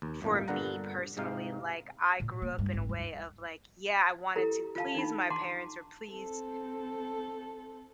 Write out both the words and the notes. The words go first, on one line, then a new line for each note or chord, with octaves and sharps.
for me, personally, like, I grew up in a way of, like, yeah, I wanted to please my parents or please,
D#2
G1 F2 A2 A#3 D#4
G2 A#2 D3 B3 F#5 A#5
G#2 C3 G#3 D#4 F5
A#2
A#3
G2
G#1
D#2
E4 G4 A4 A#5
F4 F5 A5
D4 D#4 B5
F#5 A5 A#5 C6 D6
C4 A4